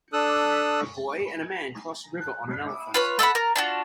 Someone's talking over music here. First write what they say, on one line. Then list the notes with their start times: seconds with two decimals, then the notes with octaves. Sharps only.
A boy and a man cross a river on an elephant.
0.13 D4 A4 D#6 E6 F#6
2.94 F4 B4 C#5
3.19 A4 E5 F#5 B5
3.35 A#4
3.56 D4 F4 F#4